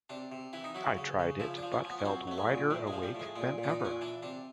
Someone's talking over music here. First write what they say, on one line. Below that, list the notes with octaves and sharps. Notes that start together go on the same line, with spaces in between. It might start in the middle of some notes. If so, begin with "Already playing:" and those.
I tried it, but felt wider awake than ever.
C3 D4
C3
E3 E4
D#4
F#3 E4
C#3
C#3
F3 E4
D4
F3
C#4
F3
B3
C#4
F#3 C4
F#3 A3
G#3
A#2
A2 G3
G#3
F3
G3
A2 G#3
A#2 G#3
A#2
D4
D#4
A#2 C#4
E3 D4
C3 D4